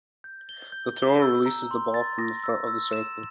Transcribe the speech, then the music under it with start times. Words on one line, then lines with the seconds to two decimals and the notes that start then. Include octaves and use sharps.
The thrower releases the ball from the front of the circle.
0.24 G6
0.49 G7
0.72 G6
0.97 G7
1.22 E6
1.46 A#5
1.71 C6
1.94 A6
2.18 A#6
2.44 E6
2.67 E6
2.93 E7